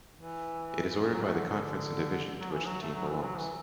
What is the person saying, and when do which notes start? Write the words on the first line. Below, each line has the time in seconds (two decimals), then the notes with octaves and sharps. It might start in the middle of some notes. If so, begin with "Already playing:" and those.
It is ordered by the conference and division to which the team belongs.
0.16 E3
1.14 F#3
1.24 A3
1.34 D3
1.46 D3
2.40 F#3
2.53 E3
2.67 F#3
2.81 A3
2.95 F#3
3.09 E3
3.23 F#3
3.37 E3